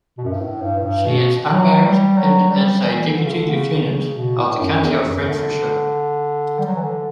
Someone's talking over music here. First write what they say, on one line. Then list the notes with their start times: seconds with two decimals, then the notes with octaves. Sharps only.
She is unmarried and is a Deputy Lieutenant of the County of Renfrewshire.
0.18 B2
0.25 F#2
0.33 G2
0.40 A2
0.61 G2
0.79 A2
0.84 G2
1.06 B2
1.51 F#3
1.84 G3
2.17 F#3
2.50 G3
2.84 E3
3.17 D3
3.24 C#3
3.31 D3
3.50 C#3
3.83 C#3
4.16 B2
4.38 A2
4.60 F#2
4.82 E2
5.05 F#2
5.27 D3
6.59 G3
6.67 F#3
6.75 E3
6.82 D3